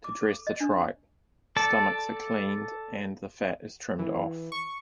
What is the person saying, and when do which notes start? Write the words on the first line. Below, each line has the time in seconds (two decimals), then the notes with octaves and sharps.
To dress the tripe, the stomachs are cleaned and the fat trimmed off.
0.04 D6
0.21 A4
0.47 D#5
0.60 D4
1.56 A4 D5 A5
3.99 E3
4.52 C#6